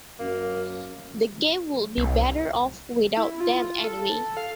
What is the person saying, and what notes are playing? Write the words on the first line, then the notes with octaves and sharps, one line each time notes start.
The game would be better off without them anyway.
F#2 A#3
C2
E4
F4
A4
F5